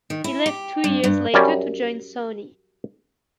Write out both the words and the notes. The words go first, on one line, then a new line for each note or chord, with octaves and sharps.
He left two years later to join Sony.
D#3
E4
G4
G2
G2
F#2 G3 C#4 D5